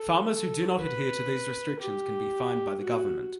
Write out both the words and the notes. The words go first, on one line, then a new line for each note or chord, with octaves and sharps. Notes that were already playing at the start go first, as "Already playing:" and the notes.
Farmers who do not adhere to these restrictions can be fined by the Government.
Already playing: A4
A4
B4
G4
F#4